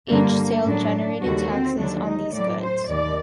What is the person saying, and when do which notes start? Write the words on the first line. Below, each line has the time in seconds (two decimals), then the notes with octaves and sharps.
Each sale generated taxes on these goods.
0.08 G2 D3 G3 A#3
0.65 A2 F#3 D4
1.21 D#2 D3 G3 F#4
1.49 C4
1.77 D#2 D3 F#3 D4
2.06 D#4
2.33 A2 F#3 D5
2.61 C5
2.89 D#2 D#3 D5